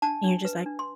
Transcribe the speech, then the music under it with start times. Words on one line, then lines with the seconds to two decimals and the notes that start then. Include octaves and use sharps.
And you're just like,
0.02 D4 A5
0.24 D4
0.45 B4
0.66 D4
0.79 C6